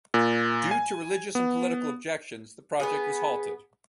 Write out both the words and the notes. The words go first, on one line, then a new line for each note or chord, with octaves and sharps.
Due to religious and political objections, the project was halted.
A#2
G#5
B3
B3 G#4